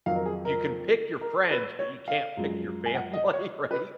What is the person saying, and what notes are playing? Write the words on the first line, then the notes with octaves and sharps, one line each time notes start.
you can pick your friends, but you can't pick your family, right?
F2 D#3 F#3 F5
A#4
G#4
A#4
A#4
B4
C#5
F5
F#2 F3 G#3
G#5
F#5
D#5
C#5
B4